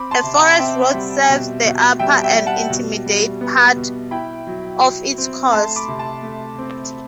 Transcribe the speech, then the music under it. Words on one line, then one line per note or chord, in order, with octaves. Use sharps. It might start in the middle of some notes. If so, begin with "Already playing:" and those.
A forest road serves the upper and intermediate part of its course.
Already playing: C4 B5 D6
A5 C6
C3
F#5 A5
C4 E5 G5
G3
B2
B2
G3 E5 G5
E5 G5
G3
F#5 A5
B2
G3
B3
B2
E4 G5 B5
F#3
F#3
C4
A3 A5 C6
B5 D6
C3
A5 C6
A3
C4